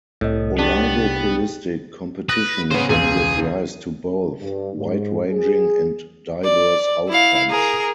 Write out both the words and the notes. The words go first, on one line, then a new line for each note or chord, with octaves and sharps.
Oligopolistic competition can give rise to both wide-ranging and diverse outcomes.
C2 A2 A4 D#5
B3 D4 G4 G5 A6
B4 D#6 F#6 A#6
C#3 B3 G#4 C5
E1 C#2 G#4
G2
G#2
G#4
D5
E4 F5
G#4 A#4